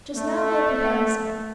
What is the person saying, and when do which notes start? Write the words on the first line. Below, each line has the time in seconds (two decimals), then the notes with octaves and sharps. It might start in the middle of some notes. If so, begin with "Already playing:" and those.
Just now they are preparing supper.'
0.17 A3